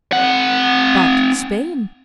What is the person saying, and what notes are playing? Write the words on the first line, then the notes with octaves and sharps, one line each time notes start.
But Spain?
C4 F#5